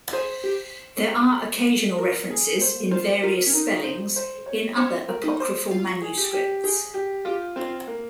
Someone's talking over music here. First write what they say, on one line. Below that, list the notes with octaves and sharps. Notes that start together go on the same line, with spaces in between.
There are occasional references, in various spellings, in other apocryphal manuscripts.
G#4 C5
G4
A#4
G#4
C5
F4 C5
F4 A#4
C#4
D#4 A#4
C5
C5
C#5
C#4 C5
A#4
D#4
C5
F4
G#4
G4
G4
G4 G#4
G4
F4 G4
C4 F4
A#3